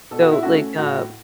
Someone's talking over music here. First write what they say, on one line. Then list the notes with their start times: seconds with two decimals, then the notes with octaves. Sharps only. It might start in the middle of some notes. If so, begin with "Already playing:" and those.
So, like, uh,
0.11 B2 A4
0.21 F#4
0.32 E4
0.43 A3 C#4 F#4
0.78 A2 F#4